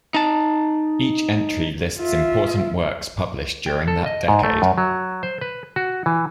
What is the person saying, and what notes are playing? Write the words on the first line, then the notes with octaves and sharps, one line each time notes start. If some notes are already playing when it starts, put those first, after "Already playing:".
Each entry lists important works published during that decade.
D#4 A5
F4 E5
G5
A4
D#5
G#2
A3
F#2
F#3
C5
B4
F#4
E3